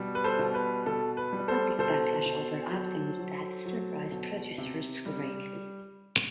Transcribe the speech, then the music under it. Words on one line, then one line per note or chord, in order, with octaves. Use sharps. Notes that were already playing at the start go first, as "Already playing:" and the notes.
The public backlash over Optimus' death surprised producers greatly.
Already playing: B2 G3
B4
A4 C5
B2
B4
B2 A4
B4
G3
A4 C5
B2 A4 C5
B2
F#3
F#3
F#3
B2
C3
G3